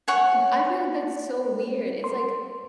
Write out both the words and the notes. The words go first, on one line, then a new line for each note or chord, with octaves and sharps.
And I feel like that's so weird. It's like
C#5 F#5 G#5
C6